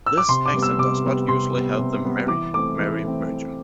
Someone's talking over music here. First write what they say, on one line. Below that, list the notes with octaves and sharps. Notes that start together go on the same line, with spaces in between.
This accent does not usually have the "marry"-"merry" merger.
E6
D6
C3 C6
D6
G3 B3
E6
C3 D6
G3 B3
C3 C6
G3 B3
C3
G3 B3
E3 D6
A3 C4 D6
E3
A3 C4
E3